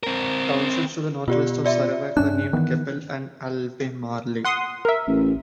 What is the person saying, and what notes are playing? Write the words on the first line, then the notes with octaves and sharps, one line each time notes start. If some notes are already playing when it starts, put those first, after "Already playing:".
Townships to the northwest of Sarawak were named Keppel and Albemarle.
C4 A#4
B2 F4 G4 D5
F4 D5 E5
G2 C#4 D4 F#6
D#3 E3 B3
F#5 C6 D#6
A#4 E5
A1